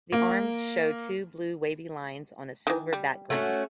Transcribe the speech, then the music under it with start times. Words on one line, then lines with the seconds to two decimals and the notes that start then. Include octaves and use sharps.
The arms show two blue wavy lines on a silver background.
0.12 A#3
2.67 D#3 E3
2.93 G3
3.30 A3 C#4 F#4